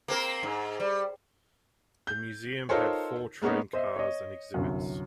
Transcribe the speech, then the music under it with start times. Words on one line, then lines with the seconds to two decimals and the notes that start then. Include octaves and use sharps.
The museum had four train cars and exhibits.
0.08 A#3 C4 A#4
0.43 G#2
0.80 G3
2.07 G6
2.69 D#4 F4 A4 A#4 C5 C#5
3.42 G#3 A#3 B3 C#4 D#4
3.73 C5 D#5 E5
3.96 C#5 D#5
4.54 G1 C2 F#2